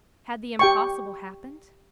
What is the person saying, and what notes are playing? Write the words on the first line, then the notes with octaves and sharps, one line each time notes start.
Had the impossible happened?
G4 G5 C#6